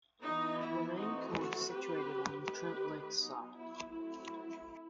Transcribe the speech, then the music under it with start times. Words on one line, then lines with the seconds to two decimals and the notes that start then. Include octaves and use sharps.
The main core is situated on the Trent Lakes side.
0.22 E3 B3 D#4
0.59 E4
0.95 E3 A3 C4 D#4 F#4
1.33 F#4 A4
1.69 F#3 C4 G4 B4
2.42 D#3 A3 C4 G4 B4
3.16 F#3 B3 D#4
3.54 E4
3.89 F#3 A3 C4 E4